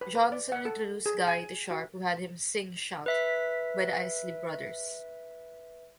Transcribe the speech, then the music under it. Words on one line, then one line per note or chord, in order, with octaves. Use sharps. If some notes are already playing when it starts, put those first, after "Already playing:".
Johnson introduced Guy to Sharp who had him sing "Shout" by the Isley Brothers.
B4
B4
D5
F#5
A4
G#4
G#5
F#4
B4 E5 B6